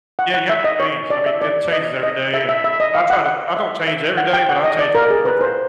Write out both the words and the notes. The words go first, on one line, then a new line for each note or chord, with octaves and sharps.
Yeah, you have to change, I mean, it changes every day, and I try to I don't change every day, but I change pretty quickly.
F#5
F#5
E5
D#5
C#5
D5
E5
D5
D#5
D#5
E5
E5
E5
D#5
F5
F#5
F#5
E5
E5
F#5
G5
F#5
D#5
D5
A#4
G#4
B4
C5